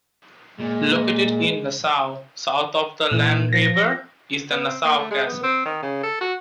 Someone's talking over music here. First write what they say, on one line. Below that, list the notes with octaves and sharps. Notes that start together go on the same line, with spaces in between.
Located in Nassau, south of the Lahn River, is the Nassau Castle.
A#2 G#3
A#2 E3
F3 A#6
B3
C4
A#3
A3
G#3
B3
C4
D#3
C#3
A4
F#4